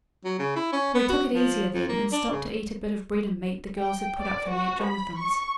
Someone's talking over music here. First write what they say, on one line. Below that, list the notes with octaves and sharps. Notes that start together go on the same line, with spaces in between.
We took it easier then, and stopped to eat a bit of bread and meat the girls had put up for me at Jonathan's.
F#3
C#3
E4
C#4
B3
F#4
F3
F2
A#3
D4
C#3
G5
D5
F#4
B5
C#6